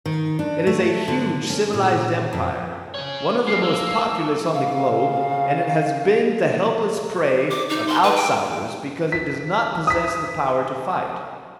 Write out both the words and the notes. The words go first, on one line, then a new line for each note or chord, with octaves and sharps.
It is a huge civilized empire, one of the most populous on the globe; and it has been the helpless prey of outsiders because it does not possess the power to fight.
D#3
D4
A3
D3
C#4
A#2
F2
G#4 C#5
A#3 C#4 C7
A#3 E6
C#3 F5
D6
D#4
C6
B4
G5
B6
D#6 B6